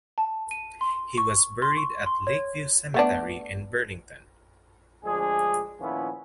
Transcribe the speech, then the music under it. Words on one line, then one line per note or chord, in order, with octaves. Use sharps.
He was buried at Lakeview Cemetery in Burlington.
A5
D#7
C6
C#6
C6
C#6
C6
C#5
A3 B3 D4
D2 F3 G#3 D4 G#4
A#2 D#3 F3 B3 C#4 E4